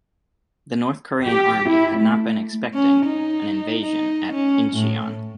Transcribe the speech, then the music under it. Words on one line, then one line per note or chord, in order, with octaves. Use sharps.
The North Korean army had not been expecting an invasion at Incheon.
G4
E4
A3
C#4
D#4
D#4
C#4
A2